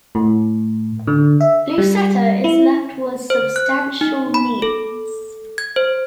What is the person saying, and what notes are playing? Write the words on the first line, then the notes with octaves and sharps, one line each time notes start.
Lucetta is left with substantial means.
A2
D3
E5
G3
E4
C5
F#6
D#4
B5
A4
G#6
C5